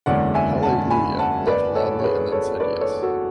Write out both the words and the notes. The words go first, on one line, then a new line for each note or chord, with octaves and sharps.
Hallelujah", laughed loudly and then said "Yes.
F#1 E2 D3 G#3 C#4 D5 F#5
E5 G#5
F#5 A5
G#5 B5
F#5 A5
B4 D5
A4 C#5
C#5
G#4 B4
A4 C#5
B4 D5
A4 C#5
F#4 A4